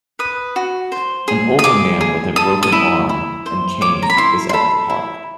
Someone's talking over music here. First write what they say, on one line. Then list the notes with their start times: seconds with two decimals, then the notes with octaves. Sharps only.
An older man with a broken arm and cane is at the park.
0.19 B4 D#6
0.56 F#4
0.92 C5
1.28 G#4
1.59 D#6
1.64 G#4 D6
2.01 G#4
2.36 A4 D#6
2.63 D#6
2.72 E4
3.09 E4
3.46 C5
3.81 C#5 D6
4.02 A#5
4.10 B5
4.17 E4 C6
4.49 C6
4.53 A4 B5
4.90 E4